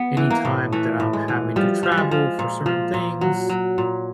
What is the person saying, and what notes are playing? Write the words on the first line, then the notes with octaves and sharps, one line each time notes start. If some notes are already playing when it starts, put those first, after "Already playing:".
any time that I'm having to travel for certain things,
Already playing: B3
E3
A#3
A2
E3 A3
A2
G#3
E3
F3 G3
F3
G3
G#3
F3
A#2
F3
A#2
F#3
F#3
A#2